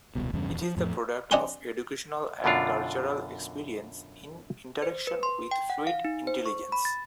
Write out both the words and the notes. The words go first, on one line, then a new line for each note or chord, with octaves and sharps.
It is the product of educational and cultural experience in interaction with fluid intelligence.
D#1 C2 B2
E2 G2 C#3
D#1 E2
F3
F2 A2 F3
C3 D4 D#5 F#5 G#5 C6
F#2 B2 D3 D4 F4
C5
B4
C6
G5
F#5
F5
D#4
C5
C#6
B5
A6